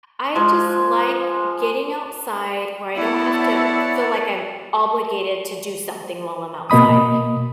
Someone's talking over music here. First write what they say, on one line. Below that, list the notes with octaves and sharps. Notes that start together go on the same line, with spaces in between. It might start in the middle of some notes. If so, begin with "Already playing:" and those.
I just like getting outside where I don't have to feel like I'm obligated to do something while I'm outside,
F3 G#3
B3 E4 C#5 D5 F#5 A5
B2 A#3 D#5 B5 D#6